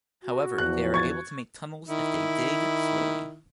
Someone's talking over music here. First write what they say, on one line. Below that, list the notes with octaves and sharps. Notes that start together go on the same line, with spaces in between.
However, they are able to make tunnels if they dig slowly.
F#4
E2 F3 F#6
C#6 G#6 A6
D#3 E4